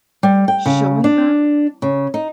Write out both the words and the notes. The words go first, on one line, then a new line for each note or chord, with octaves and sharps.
showing them.
G3
G5
C#3
D4
C#3
D#4